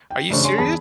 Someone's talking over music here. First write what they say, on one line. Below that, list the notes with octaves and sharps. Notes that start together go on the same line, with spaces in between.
Are you serious?"
G5
A1 C#3 A3 D4 C5 C#6
D4 G#4 C#5 G#5 C6
E2 G#4 A5 B5